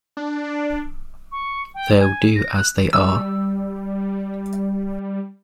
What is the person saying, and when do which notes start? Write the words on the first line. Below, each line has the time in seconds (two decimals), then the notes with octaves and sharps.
They'll do as they are?
0.17 D4
1.32 C#6
1.75 G5
1.99 G#5
2.36 A#6
2.55 F#6
2.93 G3 E6